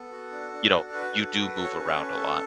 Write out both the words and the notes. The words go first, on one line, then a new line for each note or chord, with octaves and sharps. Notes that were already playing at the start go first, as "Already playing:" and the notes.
you know, you do move around a lot.
Already playing: B3 A4
F#4
D4
D4
F#4
F#4 B4
A4
F#4
A4
C#5
C#4 B4
A4 C#5
C#4 B4
A4